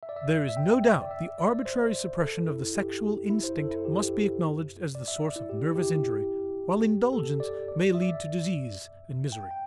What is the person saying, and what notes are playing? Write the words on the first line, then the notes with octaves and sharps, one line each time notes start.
There is no doubt the arbitrary suppression of the sexual instinct must be acknowledged as the source of nervous injury while indulgence may lead to disease and misery.
E5
D5
E5
E5
E5
G5
E5
D5
E5
D5
C5
A4
E4
G4
E4
C5
A4
E4
G4
D5
E5
D5
E4
G4
E4
G4
A4
D5
D5
E5
D5
E5
G5
G5